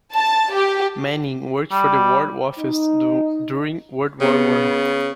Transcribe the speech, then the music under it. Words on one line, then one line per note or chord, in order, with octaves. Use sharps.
Manning worked for the War Office during World War One.
A5
G4
G3
D#4
C#3 B3